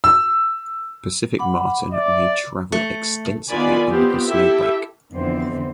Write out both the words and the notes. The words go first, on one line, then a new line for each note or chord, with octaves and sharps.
Pacific marten may travel extensively under the snowpack.
E6
F#5 B5 D6
D5 E5
A3
D#3 B3 F4 D5 G#5 B5
B3 C4 F4 G4
E4 G4 A4 E5
F2 D3 E3 B3 C4 C5